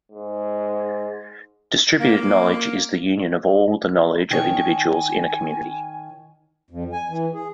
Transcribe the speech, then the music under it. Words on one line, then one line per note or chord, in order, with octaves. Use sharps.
Distributed knowledge is the union of all the knowledge of individuals in a community.
G#2
A#3
D#3 C#5 G#5
F2
G#5
E3
G#4